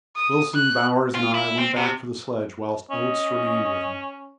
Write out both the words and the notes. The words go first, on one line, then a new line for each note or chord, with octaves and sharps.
Wilson, Bowers, and I went back for the sledge, whilst Oates remained with him.
D#6
F#6
F4
E4
C4
C3
C#4 D#5